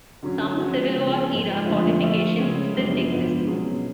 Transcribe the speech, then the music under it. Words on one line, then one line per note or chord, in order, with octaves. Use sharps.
Some Civil War-era fortifications still exist.
D3 F#3 C#4
F3 G#3 C#4 F#4
C#3 F3 B3
G#2 F3 G#3
F2 D3 F3 A3 F4
F3 A3 F4 A4
C#3 G#3 C#4
F#2 C#3 F3 B3 D4
G#2 F3 B3 D4 F4
B2 F#3 C#4 G#4